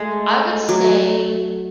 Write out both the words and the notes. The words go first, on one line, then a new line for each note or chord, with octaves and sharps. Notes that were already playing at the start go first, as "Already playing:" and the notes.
I would say
Already playing: G#3 A3
F#3 A3